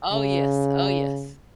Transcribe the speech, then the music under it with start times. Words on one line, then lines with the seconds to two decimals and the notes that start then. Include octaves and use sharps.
Oh, yes. Oh, yes.
0.12 C#3